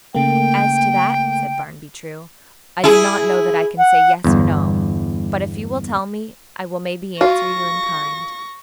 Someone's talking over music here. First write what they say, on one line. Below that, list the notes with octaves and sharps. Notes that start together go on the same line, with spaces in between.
"As to that," said Barnaby True, "I do not know that I can say yes or no, but if you will tell me, I will maybe answer you in kind."
C#3 A3 A#3 G5
E4 G#4
F#5
G1 E2
F4 F#4 C#6 A#6